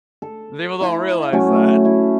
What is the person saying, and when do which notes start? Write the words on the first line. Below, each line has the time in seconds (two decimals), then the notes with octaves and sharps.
People don't realize that.
0.22 A4
0.81 E4
1.33 F#3 A3 C#4
1.85 E4